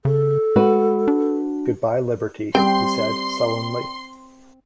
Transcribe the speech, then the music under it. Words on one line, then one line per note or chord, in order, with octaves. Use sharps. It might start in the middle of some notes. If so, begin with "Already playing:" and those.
"Good-bye, liberty," he said sullenly.
C#3 A4
G#3 F#4 B4
D4
G3 C4 G5 C6